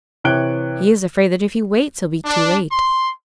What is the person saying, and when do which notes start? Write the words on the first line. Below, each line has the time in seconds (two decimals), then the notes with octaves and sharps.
"He is afraid that if he waits he'll be too late!"
0.24 C3 E3 C#5 F#6 D7 G7
2.24 D4
2.70 C6